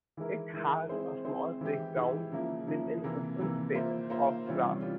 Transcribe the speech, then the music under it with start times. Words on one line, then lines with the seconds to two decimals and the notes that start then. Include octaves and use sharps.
It has a small playground, with an open space of grass.
0.17 E3 G#3 E4 A#4
0.53 E3 G#3 E4 A#4
0.89 G#3 C4 E4 G#4 C5
1.25 G#3 C4 E4 G#4 C5
1.61 E3 G#3 E4 G4
1.96 E3 G#3 E4 G4
2.32 C#3 F3 A#3 E4
2.67 C#3 F3 A#3 E4
3.04 C3 E3 A#3
3.39 C3 E3 A#3
3.74 A#3 F4 C5 E5
4.10 A#3 F4 C5 E5
4.46 C3 E3 G3 C#4 F4
4.81 G3 C#4 F4